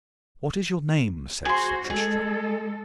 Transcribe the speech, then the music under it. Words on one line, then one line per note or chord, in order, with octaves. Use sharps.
What is your name? said Sir Tristram.
F#4 G#4 C5 C6
G#3 G#4 A4